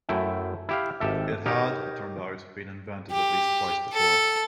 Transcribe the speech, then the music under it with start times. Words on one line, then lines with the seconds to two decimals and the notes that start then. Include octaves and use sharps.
It had, it turned out, been invented at least twice before.
0.09 F#2 A3 E4 G5
0.69 E4 G4 F5
1.00 G#1 G4 A4 E5
1.46 D#4 G4 A#4 C#5
3.12 G4
3.94 A4